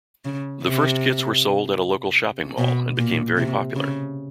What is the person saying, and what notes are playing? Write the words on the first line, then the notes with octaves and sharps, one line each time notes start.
The first kits were sold at a local shopping mall and became very popular.
C#3
C3
B2
A#2
C3
C#3